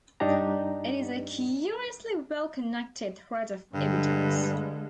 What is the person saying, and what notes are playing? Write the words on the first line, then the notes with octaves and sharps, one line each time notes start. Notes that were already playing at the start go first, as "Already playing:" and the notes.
It is a curiously well-connected thread of evidence.
G2 D4 D#4 G4 A#5
G2 D3 G#3